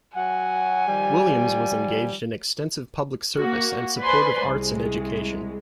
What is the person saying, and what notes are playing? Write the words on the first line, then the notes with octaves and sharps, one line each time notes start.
Williams was engaged in extensive public service and support of arts and education.
F#3 F#5 G#5
D#3 F3 G3
A#3 F#4
B4 C5 D5 G#5 B5 C6
C2 G#3